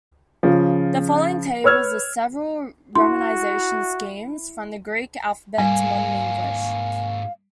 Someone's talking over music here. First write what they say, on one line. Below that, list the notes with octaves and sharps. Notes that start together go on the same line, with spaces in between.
The following tables list several romanization schemes from the Greek alphabet to modern English.
C#3 F3
B4 C#5 E6 F6 G#6
E4 F#4 C6
G#2 G3 A#3 F5 G#5